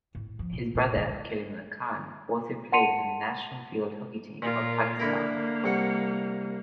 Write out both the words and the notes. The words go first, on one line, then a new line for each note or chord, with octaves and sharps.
His brother Kaleemullah Khan also played for the national field hockey team of Pakistan.
A2
F3
A#2
A#2
D3
F#5 A5 C6 C#7 D#7 F7
A#2 F4 A#4
D3 A#3 E4 A#4
C2 A4 F#5